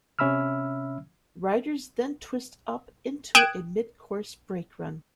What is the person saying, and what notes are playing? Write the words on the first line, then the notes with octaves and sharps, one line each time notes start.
Riders then twist up into a mid-course brake run.
C3 C#4 E5 B5 E6 F6
G5 D#6 F#6 G#6 D7 E7